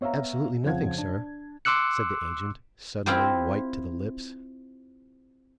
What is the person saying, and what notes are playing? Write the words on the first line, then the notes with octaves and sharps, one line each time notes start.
"Absolutely nothing, Sir," said the agent, suddenly white to the lips....
B3 C#5 E5 F5 A#5
F2 C#3 F3 F#5 G#6
D4
C6 D6 E6 F#6 C#7
C4 E4 F4 G4 C5